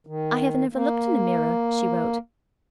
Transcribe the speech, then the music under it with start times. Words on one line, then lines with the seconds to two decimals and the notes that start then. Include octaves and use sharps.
"I have never looked in a mirror," she wrote.
0.07 D#3
0.73 A#3